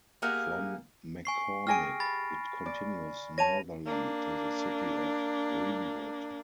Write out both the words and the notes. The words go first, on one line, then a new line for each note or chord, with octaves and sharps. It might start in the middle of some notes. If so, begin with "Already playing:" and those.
From McCormick, it continues northerly to the city of Greenwood.
A#3 G4 G#4 A#4 F5 F#5
G#5 C#6 C7
G4 G#4 G#5 F6 A#6 D7
B5 A6
D5
C#5 A5 A#6 D#7 F7
A#3 D4